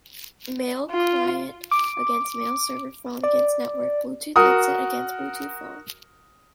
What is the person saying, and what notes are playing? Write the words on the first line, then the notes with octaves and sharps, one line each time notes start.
Mail-Client against Mail-server, phone against network, Bluetooth headset against Bluetooth phone.
F4
D6
D5
F#4 A#4 D#6